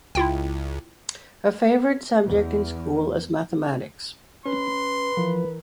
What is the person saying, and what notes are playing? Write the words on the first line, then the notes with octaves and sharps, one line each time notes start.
Her favorite subject in school is mathematics.
C#2 E4 F4 G5
E2
C#4 B4 C6
E3 F3 A#4